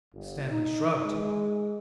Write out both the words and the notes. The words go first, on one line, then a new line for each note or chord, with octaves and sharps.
Stanley shrugged.
G1
D#4
G#3